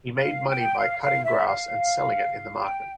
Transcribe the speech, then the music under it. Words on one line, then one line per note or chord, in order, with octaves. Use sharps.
He made money by cutting grass and selling it in the market.
F5
G5
F5
F5
E5
F5
G5